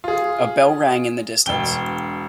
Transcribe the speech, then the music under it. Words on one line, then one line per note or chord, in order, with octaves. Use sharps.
A bell rang in the distance.
F4 G#4
E1 G5 G7